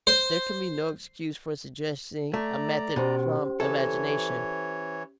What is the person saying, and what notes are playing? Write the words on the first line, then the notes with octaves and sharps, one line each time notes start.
There can be no excuse for suggesting a method from imagination.
C5
A3 D5 A#5
B2 C#4 G4 C5
E3 A4 C#5